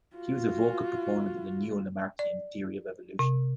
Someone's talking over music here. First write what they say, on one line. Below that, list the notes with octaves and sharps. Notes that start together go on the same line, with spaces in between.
He was a vocal proponent of the Neo-Lamarckian theory of evolution.
F4 F#4
D5
C3